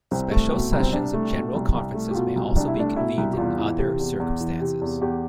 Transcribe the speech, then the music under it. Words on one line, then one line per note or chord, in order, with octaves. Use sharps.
Special sessions of General Conferences may also be convened in other circumstances.
C2 C4
A3
B2
C2
C4
C2 D4
A3
B2
C2
C2
A3
G4
B2 F4
C2
C2 D4
E4
A3 D4
B2 E4
C2
G4
E2 F4
E3
C3
E2
E2
E3
C3
E2
E2 G4